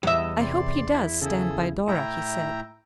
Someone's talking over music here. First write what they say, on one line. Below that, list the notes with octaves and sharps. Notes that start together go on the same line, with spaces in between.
"I hope he does stand by Dora," he said.
E2 G3 D#5 E5
C3 D5 C6
E4
C#3 E4 G#4 A4
A2 E4 E5 G5 A#5